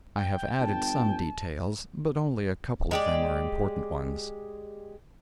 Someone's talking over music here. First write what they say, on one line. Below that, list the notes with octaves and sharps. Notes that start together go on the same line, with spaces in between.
I have added some details, but only a couple of them are important ones.
G5
G1 A5
G#3 G4 D5